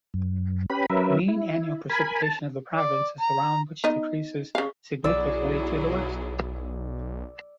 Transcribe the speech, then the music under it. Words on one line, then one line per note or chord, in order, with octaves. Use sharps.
Mean annual precipitation of the province is around which decreases significantly to the west.
F#2
C#4 G4 B4 B5
F#3 C#4 A#4 B4 E5
E4
A#4 G#5 B5
A5
D5
A#5
B3 D#4 D#5
C#3 F5
B1 F#3 E4 G#4 D5 E6